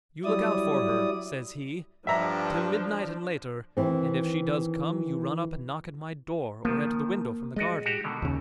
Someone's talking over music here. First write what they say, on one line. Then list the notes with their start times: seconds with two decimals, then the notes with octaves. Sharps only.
You look out for her,' says he, 'till midnight and later; and if she does come, you run up and knock at my door or at the window from the garden.
0.24 F#3 G3 E4 D5 D#6
2.07 G2 F3 D4 E5 A#5
3.77 D#3 E3 C4
6.65 D#3 F3 A#3
7.56 G#3 F#4 D5 D#5
7.86 F#4 G4
8.04 B2 D3 D#3
8.22 D#2 C#3